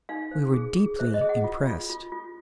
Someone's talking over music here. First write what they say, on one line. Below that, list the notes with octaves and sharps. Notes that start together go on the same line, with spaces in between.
We were deeply impressed.
D#4 F5
C5
G#4
G#4
C5 E5
D#5
G#4
F#5
F4
F4
F4
F4